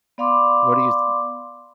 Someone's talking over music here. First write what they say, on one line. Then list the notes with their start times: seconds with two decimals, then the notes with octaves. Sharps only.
what are you th
0.18 B3 D5 F5 B5 C6 D6